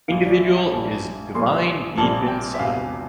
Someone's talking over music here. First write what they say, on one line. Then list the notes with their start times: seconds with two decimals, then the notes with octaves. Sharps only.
Individual is divine deep inside.
0.08 A#1 A#2 G3 A#3 F5
0.25 D5
0.40 E5
0.57 G5
0.72 A#1 A#2 G3 A#3 A5
1.34 A#1 A#2 G3 A#3 C6
1.97 A#1 A#2 G3 A#3 A5
2.28 G5
2.54 E5
2.59 E1 E2 C3 F5